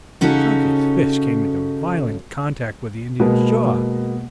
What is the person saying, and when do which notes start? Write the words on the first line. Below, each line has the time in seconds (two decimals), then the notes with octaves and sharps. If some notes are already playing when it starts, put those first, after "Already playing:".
Chunky's fist came into violent contact with the Indian's jaw.
0.21 C#3 C#4 D#4 F#4 A4
3.20 B2 G#3 A#3 B3